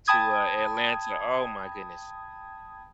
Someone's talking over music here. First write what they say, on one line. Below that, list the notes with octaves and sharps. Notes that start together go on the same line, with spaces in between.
to, uh, Atlanta. Oh, my goodness.
G5 A5 B5 D#6 G#6